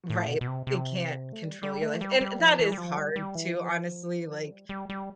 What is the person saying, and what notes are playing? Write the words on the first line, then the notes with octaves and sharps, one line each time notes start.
Right, it can't control your life, and that is hard to honestly, like,
A2
B2
B2
C3
C3
A3
G3
G3
A3
G3
G3
F3
E3
G3
F3
G3
G3
E3
F3
G3
G3
G3